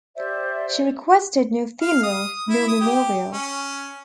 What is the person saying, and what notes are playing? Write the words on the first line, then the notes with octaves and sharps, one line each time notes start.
She requested no funeral nor memorial.
G4 C5 D5 E5
F5
D#6
E4
D#6
G4
C#4